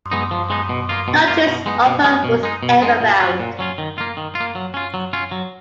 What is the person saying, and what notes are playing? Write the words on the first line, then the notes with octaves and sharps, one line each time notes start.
No trace of her was ever found.
G#3 B3 D#4
F3
G#3 B3 D#4
B2
A#3 F4
B2
A#3 F4
B2
G#3 B3 D#4
B2
G#3 B3 D#4
B2
G#3 D#4
B2
G#3 D#4
A#2
F#3 C#4 F4
A#2
F#3 C#4 F4
D#3
A#3 F4
D#3
F4
A#3
F#3
C#4 F4
F#3
C#4 F4
F#3